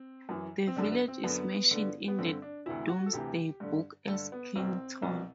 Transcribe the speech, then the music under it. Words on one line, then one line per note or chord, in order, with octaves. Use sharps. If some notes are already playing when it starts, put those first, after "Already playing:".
The village is mentioned in the Domesday Book as "Kington".
Already playing: C4
F#2 E3
C4
F#2 D3 D4
B3
C4
F#2 D3 B3
G2 D3
B3
G2 D3 C4
D4
D2 C3 E3 E4
F#4
A4
D2 C3 E3 G4
G2 D3
G2 D3 A4
B3
C2 B2 C4
C2 B2